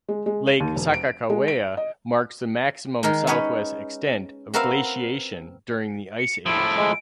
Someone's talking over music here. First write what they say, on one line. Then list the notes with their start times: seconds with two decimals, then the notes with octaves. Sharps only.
Lake Sakakawea marks the maximum southwest extent of glaciation during the ice age.
0.09 G#3
0.26 G#3
0.48 D#7
0.60 D#2
0.76 E1
0.94 D7
1.30 G#3
1.48 D7
1.77 D#5
3.03 D#3 G#3 A#4 G5
3.27 C#4 D#4 B4 C#5
4.54 C4 F#4 A#4 B4 E5 F5
6.19 C#7
6.46 A2 F3 E4 D7
6.77 G#3